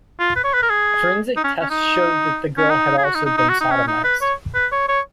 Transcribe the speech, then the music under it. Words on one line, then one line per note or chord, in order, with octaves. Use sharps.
Forensic tests showed that the girl had also been sodomized.
F4
B4
C#5
B4
A#4
G#4
D#4
C#4
C#4
D#4
C#4
D#4
G#4
F#4
D#4
D#4
D#4
F#4
D#4
C#4
D#4
B4
C#5
B4
C#5
C#5